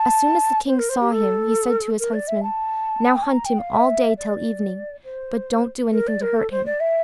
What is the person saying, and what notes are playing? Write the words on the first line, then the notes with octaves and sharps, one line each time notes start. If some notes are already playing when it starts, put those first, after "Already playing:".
As soon as the king saw him, he said to his huntsmen, "Now hunt him all day till evening, but don't do anything to hurt him."
Already playing: A5
C5
A#4
C5
G4
A4
A#4
D5
E5
A5
G5
A5
A#5
G5
F5
E5
D5
C5
A#4
D5
A#4
A4
C5
D5
E5